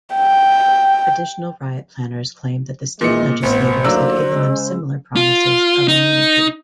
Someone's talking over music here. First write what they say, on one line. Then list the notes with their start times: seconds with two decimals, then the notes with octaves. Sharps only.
Additional riot planners claimed that state legislators had given them similar promises of immunity.
0.15 G5
3.01 A#2 D#3 E3 G#3 D#5 C#7
3.43 A1 B3 C4 C5
3.84 D#2 A2 F#3 A#3 D4 E6
4.34 C#3 G#3
5.16 F4
5.88 D#4